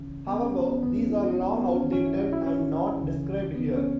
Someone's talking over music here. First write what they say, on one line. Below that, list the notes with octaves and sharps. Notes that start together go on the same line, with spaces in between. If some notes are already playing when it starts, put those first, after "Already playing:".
However these are long outdated and not described here.
Already playing: C#2 C#3 E3 C#4
B3
C#4
C#4
B3
E2 E3 B3
C#4
E4
F#4
B3
C#4
G#2 E3 C#4
E4
F#4
E4
C#4
C#2 C#3 E3
B3
C#4